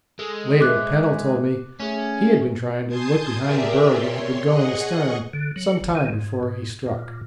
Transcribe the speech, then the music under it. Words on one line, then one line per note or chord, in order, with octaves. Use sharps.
Later Pennell told me he had been trying to look behind the berg and had been going astern some time before he struck.
G#3 A4
C5 E5 D6 F#6
A3 C#4 G#4
G#5 A5 C6 D#6 G6 G#6
G4 G#4 A#4 D5 E5 G5
C#5 C6
G#4 D#5 F#5 C#6
D3
F#3
G#1
D#3
G#2
G#2
A#2